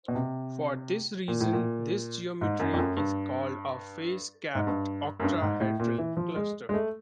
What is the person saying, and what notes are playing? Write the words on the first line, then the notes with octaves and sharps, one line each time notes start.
For this reason this geometry is called a face capped octahedral cluster.
B2
C3
A#2
A2
A#2
G#2
F#2
F2
F#2
G2
G#2
G2
F#2
G2
G#2
A2
A#2
E3
F3
G#3
G#3
A3